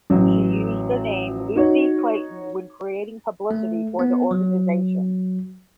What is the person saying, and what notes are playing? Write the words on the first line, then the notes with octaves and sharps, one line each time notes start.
She used the name "Lucie Clayton" when creating publicity for the organisation.
A1 F#3
D#4 F#4 C#5
A3
B3
F#3